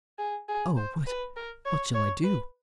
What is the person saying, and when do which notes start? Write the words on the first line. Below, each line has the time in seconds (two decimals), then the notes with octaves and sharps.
Oh, what!--what shall I do?
0.18 G#4
0.48 G#4
0.77 C5
1.07 B4
1.36 A#4
1.65 C#5
1.94 C#5
2.24 B4